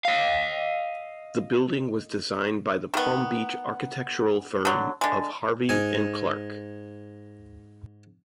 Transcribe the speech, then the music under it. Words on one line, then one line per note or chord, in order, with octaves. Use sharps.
The building was designed by the Palm Beach architectural firm of Harvey and Clarke.
D#5 F5
D#3 B3
D3 F#3
D3 G#3
G#2 G#5 D#6